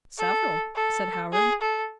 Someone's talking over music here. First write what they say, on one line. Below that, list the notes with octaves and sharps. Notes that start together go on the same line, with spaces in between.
"Several," said Howard.
A4
A4
G#4
A4